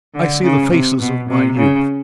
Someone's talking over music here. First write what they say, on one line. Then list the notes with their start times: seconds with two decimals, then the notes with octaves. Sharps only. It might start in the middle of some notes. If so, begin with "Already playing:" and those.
I see the faces of my youth.
0.15 D3
0.43 C#3
0.71 C3
1.00 B2
1.29 C3
1.58 C#3